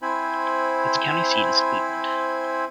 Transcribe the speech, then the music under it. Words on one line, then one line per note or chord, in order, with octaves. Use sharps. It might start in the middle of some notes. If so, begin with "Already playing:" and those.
Its county seat is Cleveland.
C4 E4 C5 G#5 B5